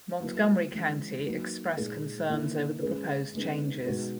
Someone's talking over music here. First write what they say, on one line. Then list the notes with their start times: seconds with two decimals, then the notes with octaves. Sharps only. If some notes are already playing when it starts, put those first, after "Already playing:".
Montgomery County expressed concerns over the proposed changes.
0.21 F#3 A#3 E4 B4
0.73 E3 G#3 C#4
1.25 F#3 A#3 D#4 F#4 B4
1.78 A#2 G#3 D#4 G#4
2.30 D#3 A#3 E4
2.82 G#3 C#4 G#4 B4
3.34 C#3 G#3 B3 D#4
3.86 B2 G#3 D#4 F#4 B4